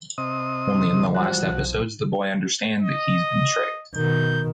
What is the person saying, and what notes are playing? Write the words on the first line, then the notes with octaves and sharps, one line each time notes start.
Only in the last episodes, the boy understand that he’s been tricked.
C3 D#5 D#6
E2 C#3
F3 G3 F#4
B1 F3
D#5
B2 D#3 G6